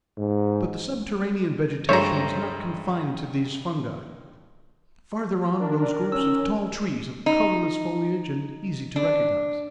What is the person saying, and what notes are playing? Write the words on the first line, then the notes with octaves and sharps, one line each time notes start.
But the subterranean vegetation was not confined to these fungi. Farther on rose groups of tall trees of colourless foliage and easy to recognise.
G#2
G2 G#3 A3 C5 C#5 A#5
D#3 D4 A#4
C#4 E6
D#4
D4